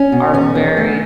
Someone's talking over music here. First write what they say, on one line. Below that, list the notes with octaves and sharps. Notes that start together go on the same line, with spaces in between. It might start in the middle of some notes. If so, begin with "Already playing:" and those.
are very,
Already playing: C#4
B2
E2 C#4
E2
A3